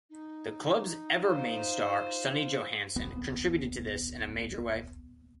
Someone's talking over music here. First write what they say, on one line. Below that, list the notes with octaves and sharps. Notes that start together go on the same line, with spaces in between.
The club's ever main star Sonny Johansson contributed to this in a major way.
D#4
F4 C5
D#1 C2 B3